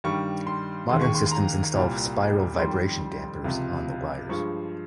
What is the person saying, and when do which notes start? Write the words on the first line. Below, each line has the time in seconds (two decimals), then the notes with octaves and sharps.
Modern systems install spiral vibration dampers on the wires.
0.04 G2 D#3 G3 C#6
0.47 C6
0.89 D#2 D#3 G#3 C6
1.02 C#6
1.15 C6
1.26 C6
1.31 A#5
1.74 C2 A#2 G3
2.59 F2 D#3 G3 C6
3.44 C#2 C3 F3
4.29 G2 F3 G#3 C#6